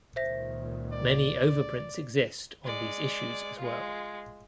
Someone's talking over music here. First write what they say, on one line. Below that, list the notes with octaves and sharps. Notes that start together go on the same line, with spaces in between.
Many overprints exist on these issues as well.
C#2 A#2 D#3 C5 E5 A#6
D5
G#3 D5
G#3 F4